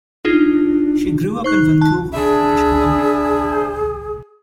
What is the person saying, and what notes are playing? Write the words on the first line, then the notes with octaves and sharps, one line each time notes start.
She grew up in Vancouver, British Columbia.
D4 D#4 F4 G#4
D#4 C5 C#6 F#6
A5 F#6
D4 G#4 E5 B5